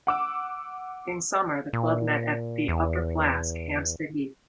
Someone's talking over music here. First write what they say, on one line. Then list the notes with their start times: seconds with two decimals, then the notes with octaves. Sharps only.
In summer, the club met at the Upper Flask, Hampstead Heath.
0.07 F#5 D6 E6
1.73 A#2
2.68 E2